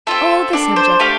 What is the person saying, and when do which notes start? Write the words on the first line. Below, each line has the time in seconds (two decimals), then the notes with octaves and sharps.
Oh, the subject!
0.07 C4 F4 A4 E5
0.53 D4 A4 D5
0.76 C5
0.99 A3 D4 G4 F5